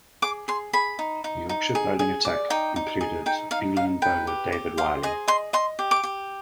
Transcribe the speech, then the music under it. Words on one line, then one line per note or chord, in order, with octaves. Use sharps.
The Yorkshire bowling attack included England bowler David Willey.
G#4 D6
G#4 C6
G#4 B5
D#4
D#4
D#4
G#4
G#4
D5
D#4 G5
D#4
G#4
D#4 G5
D#4 F5
D#4 F5
B4 G5
G4
G4
C5 F5
G#4 D#5
D#5 C6
D#5 C6
G4
D6
G4